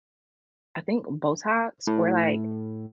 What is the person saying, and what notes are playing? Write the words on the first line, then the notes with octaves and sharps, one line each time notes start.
I think Botox or, like,
A2